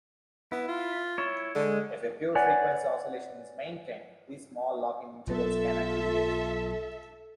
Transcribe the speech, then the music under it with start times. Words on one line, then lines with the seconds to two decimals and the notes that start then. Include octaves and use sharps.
If a pure frequency oscillation is maintained, these small lock-in intervals can accumulate.
0.52 B3 E4
0.68 F4
1.18 E4 C#5
1.55 D3 G#3
2.35 B4 C#5 D5 F#5 G#5
5.27 B1 F#3 B3 F4 A4 E5